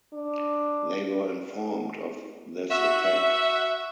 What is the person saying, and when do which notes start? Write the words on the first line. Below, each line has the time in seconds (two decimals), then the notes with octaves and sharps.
They were informed of this attack.
0.13 D4
2.71 F#4 E5